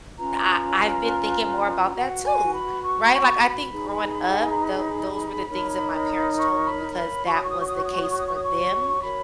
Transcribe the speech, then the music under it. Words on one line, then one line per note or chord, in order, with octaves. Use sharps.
I I've been thinking more about that too. Right? Like, I think growing up, tho those were the things that my parents told me because that was the case for them.
C#4 F4 B4 A#5
F#4 B4 F#5
G#5
B5
C#6
C#6
B5
D#4 G#4 B4
F#5
G#5
A#5
B5
D#4 A#4 C#5
C#6
B5
B5
F#4 C#5 C#6
D#6
C#6
D#6
C#6
D#6
C#6
D#6
C#6
D#6
C#6
D#6
C#6
D#6
C#6
F#4 A#4 C#5 B5